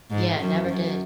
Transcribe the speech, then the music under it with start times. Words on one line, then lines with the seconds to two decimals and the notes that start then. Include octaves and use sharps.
Yeah, never did.
0.10 G#2
0.39 F#2
0.69 F#2